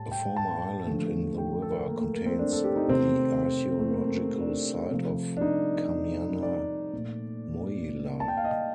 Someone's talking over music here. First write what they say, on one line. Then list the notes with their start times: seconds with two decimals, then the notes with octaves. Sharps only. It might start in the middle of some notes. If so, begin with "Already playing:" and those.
A former island in the river contains the archaeological site of Kamyana Mohyla.
Already playing: A2 G3 A5
0.11 G5
0.36 A5
0.87 D3 F3 A3
1.38 G5
1.62 A4
1.70 A#4
1.79 A4
1.88 A#3
2.00 A3
2.14 A#3
2.26 C4
2.39 D4
2.53 A4
2.64 G4
2.76 D#4
2.88 C3 D#3 A3 C4
3.79 A3
3.90 A#3
4.40 D4
4.91 C3 F3 A3
5.37 D4
5.41 D#4
6.43 D5
6.93 A#2 A3
8.20 A5
8.28 G5
8.37 F5
8.44 D#5